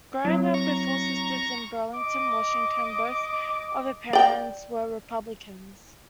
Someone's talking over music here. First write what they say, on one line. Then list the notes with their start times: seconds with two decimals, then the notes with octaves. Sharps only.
Growing up with four sisters in Burlington, Washington, both of her parents were Republicans.
0.25 F#3 C4 E4
0.54 A#5 C#6
1.95 D#5 D6
4.13 D5 G5